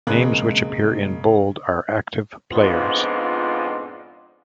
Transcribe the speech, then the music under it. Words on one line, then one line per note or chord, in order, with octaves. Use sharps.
Names which appear in bold are active players.
E1 C#3 G#3 A#3 C4 F#6
F2 G#2 F3 B3 D4 F4